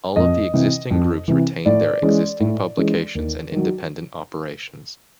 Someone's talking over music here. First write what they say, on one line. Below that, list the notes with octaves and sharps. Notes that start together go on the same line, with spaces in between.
All of the existing groups retain their existing publications and independent operations.
F2 D#5
C3 E3
F2
C3 E3
A2 D5
E3 G#3 C#4
A2
E3 G#3 C#4
D#2
D#3 F#3